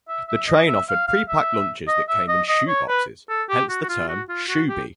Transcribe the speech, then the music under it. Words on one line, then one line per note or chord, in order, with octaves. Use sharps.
The train offered pre-packed lunches that came in shoe boxes; hence the term shoobie.
E5
E5
D#5
E5
F5
F5
E5
D#5
E5
D#5
D#5
C#5
B4
A4
G4
F#4
F#4
F4
F#4
F4
F#4
G4